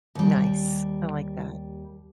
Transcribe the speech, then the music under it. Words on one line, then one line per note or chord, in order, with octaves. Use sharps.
Nice, I like that.
D#2 G3